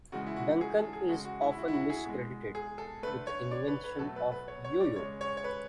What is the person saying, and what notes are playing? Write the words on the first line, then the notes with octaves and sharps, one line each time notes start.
Duncan is often miscredited with invention of the Yo-Yo.
C#3 E3 G#3 F#4
E4
F#4
G#4
A4
G#4
C#3 G#3 F#4
F#4
E4
E4
F#4
E4
F#4
G#4
B2 G#3
G#4
A4
D3 A3 B4
C#5
D5
B4
B4
B2 F#3 A3 A4
B4
B4
C#5
C#5
D5
C#3 G#3 C#5
C#5
C#5
B4